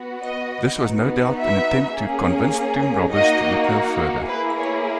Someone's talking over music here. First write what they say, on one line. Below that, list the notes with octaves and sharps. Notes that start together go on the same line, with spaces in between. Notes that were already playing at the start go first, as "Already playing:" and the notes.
This was no doubt an attempt to convince tomb robbers to look no further.
Already playing: B3 F#4
D#5
B3 D#4 F#4
E5
A#3 C#4 G#4
A#3 D#4 F#4 D#5
A#3 E4 G#4 B4
C#5